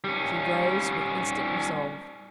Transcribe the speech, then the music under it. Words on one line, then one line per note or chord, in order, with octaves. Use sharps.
She rose with instant resolve.
G3 C#4